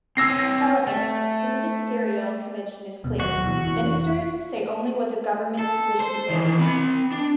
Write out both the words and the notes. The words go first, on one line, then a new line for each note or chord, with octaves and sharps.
However, the ministerial convention is clear: Ministers say only what the Government's position is.
C4 C#5 G5 E6 A#6 C7
A3
D1 B2
D#2 F#3 F#4
B2 E3
F1 E3
A4
C5
D#3 E3
C4 B5
D4